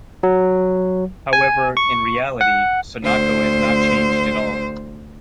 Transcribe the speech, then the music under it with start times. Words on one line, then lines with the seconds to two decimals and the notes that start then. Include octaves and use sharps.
However, in reality Sunako has not changed at all.
0.23 F#3
1.33 G#5
1.77 C#6
2.41 F#5
3.03 D2 C5